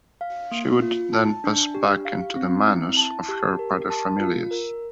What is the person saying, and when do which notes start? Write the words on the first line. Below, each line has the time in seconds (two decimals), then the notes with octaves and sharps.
She would then pass back into the "manus" of her "paterfamilias".
0.21 F5
0.52 A#3
0.82 F4
1.13 A5
1.44 D4
1.75 G4
2.05 F5
2.36 C4
2.67 E4
2.97 A5
3.29 G4
3.59 A#4
3.90 A5
4.20 F4
4.51 A#4